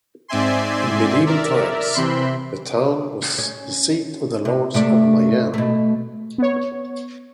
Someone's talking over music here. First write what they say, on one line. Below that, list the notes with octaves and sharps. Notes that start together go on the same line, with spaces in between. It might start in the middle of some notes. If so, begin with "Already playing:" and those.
In medieval times, the town was the seat of the Lords of Mayenne.
G#2 C4 D5 E5 G#5 C6
A#4 D5 E5
C3 E3 C4 E5 B5 C6
C#4
C3
C3 A3 D5
B2 A3
B3 C#5